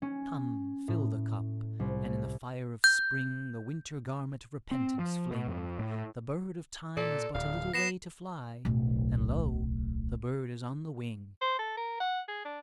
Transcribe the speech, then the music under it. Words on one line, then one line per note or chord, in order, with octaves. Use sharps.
Come, fill the Cup, and in the Fire of Spring The Winter Garment of Repentance fling: The Bird of Time has but a little way To fly--and Lo! the Bird is on the Wing.
C#4
A2
C2
G6
C4
F3
B2
F2
A2
A#2 A4 D5
D1 F5
B3 A#6 C7 E7
D1 B1
C5
A4
A#4
F#5
G#4
D4